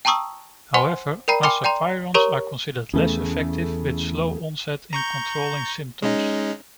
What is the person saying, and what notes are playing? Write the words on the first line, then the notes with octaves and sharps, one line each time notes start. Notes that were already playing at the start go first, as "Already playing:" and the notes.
However, azapirones are considered less effective with slow onset in controlling symptoms.
G5 A5 A#5 C#6 D#6 E6
C5 F#5 G#5 C6
A#4 D5 G5 A#5 B5 C7
G5 G#5 B5 C6 D6 F6
D5 G5 A#5 C6
G4 A#4 C#5 A#5 C#6
E2 C#3 A3
A#5 C#6 G6
G#3 C#4 D#4